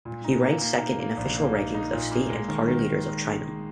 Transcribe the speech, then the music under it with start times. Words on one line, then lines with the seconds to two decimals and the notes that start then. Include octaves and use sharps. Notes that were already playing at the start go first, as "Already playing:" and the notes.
He ranked second in official rankings of state and party leaders of China.
0.05 A#2
0.24 D#4
0.42 A#3
0.62 A#3
0.80 D#4
1.00 A#3
1.17 A#1
1.37 A#3
1.55 D#4
1.74 D#4
1.92 A#2
2.12 A#3
2.30 G#3
2.48 D#3
2.68 D#3